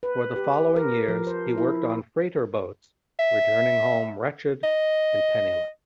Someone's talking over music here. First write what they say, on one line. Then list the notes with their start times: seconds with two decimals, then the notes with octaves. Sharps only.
For the following years he worked on freighter boats, returning home wretched and penniless.
0.03 B4
0.36 G4
0.76 A#4
1.08 F3
1.27 C5
1.58 E4
3.19 E5
4.64 D#5